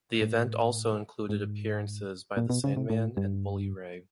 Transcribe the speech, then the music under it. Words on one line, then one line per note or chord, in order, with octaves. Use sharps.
The event also included appearances by The Sandman and Bully Ray.
A2
G#2
A#2
B2
C#3
C3
A2
G2